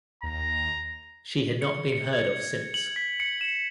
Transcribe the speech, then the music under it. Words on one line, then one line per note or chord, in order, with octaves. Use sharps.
She had not been heard of since.
D#2 A#5
C#7
C#7
G#6
F#7
B6
C#7
E7